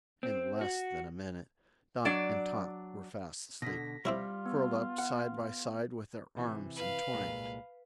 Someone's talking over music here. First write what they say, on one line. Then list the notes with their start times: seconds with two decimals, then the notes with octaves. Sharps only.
In less than a minute Dot and Tot were fast asleep, curled up side by side, with their arms entwined.
0.23 C4
0.61 F#4
2.05 F#3 D4 D5
3.62 B2 D3 A#6 B6
4.05 G3 C4 E4 F4 C#5
4.46 B3
4.98 F#5
6.37 C3 E3
6.76 B4 F5
7.14 C2 A#2 G#3